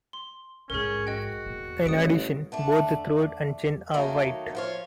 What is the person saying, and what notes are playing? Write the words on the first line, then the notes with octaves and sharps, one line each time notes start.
In addition, both the throat and chin are white.
C6
A#1 G#2 C#4 G#4 A#4
F#4 D#5 G5
E2 A#2
A1 G3 D#6 C#7 D7
D3 A3 D4
D#3 F#3 A3 A#3 D#4
F3 F4 C#5